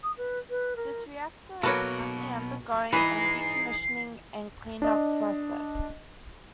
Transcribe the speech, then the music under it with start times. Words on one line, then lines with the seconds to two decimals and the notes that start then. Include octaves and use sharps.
This reactor is currently undergoing a decommissioning and cleanup process.
0.03 D#6
0.17 B4
0.49 B4
0.75 A#4
1.63 B2 F#3 A#3 F#4 A4 B4 C#5
2.93 E3 D#4 G#4 B4 D#5 C7
4.82 D4 D#5